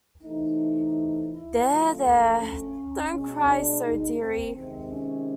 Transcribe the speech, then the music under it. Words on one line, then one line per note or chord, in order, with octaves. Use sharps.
There — there — don’t cry so, dearie.
C3 E3 A3 D#4
E4
D3 F3 A3 F4
C#4
B2 G#3 C#4
D4
D#4
C4
C3 D#3 G#3 C4
C#4